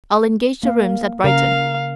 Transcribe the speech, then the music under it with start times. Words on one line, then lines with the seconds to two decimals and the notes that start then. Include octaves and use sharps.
I'll engage the rooms at Brighton.
0.63 A#3 F5
1.24 C#3 A#4 F5